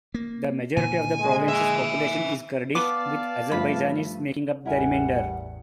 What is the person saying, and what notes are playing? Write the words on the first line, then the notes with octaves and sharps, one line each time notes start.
The majority of the province's population is Kurdish, with Azerbaijanis making up the remainder.
A#3
A#2 D3 D#3 G#5
G#3
E5 G#5
B3 D5 F5 A5 D6
G2 F3 A3 B5
A1 E2 G3 E4 A#4 F#5 G#5